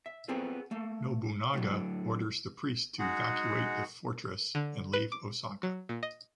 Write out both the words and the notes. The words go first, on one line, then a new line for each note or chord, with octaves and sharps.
Nobunaga orders the priest to evacuate the fortress and leave Osaka.
E5
B3 C4 F4 G#4 A4
A3 A#3
A2 D3 F#3
G#3 D#4 F#4 G#4 F#5
D3
B4
D6
F#3
A#2
D#5